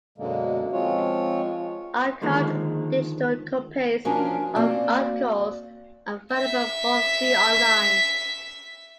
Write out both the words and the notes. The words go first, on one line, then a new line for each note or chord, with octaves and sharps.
Archived digital copies of articles are available for free online.
F#2 B2 D3 G#3 A#3
F3 G#3 C4 F4 C#5
D3 D#3 F3 G#3 A#3
F3 C#4 D4 F4 F#4 A#4
A#3 C4 F#4 D5
E5 B6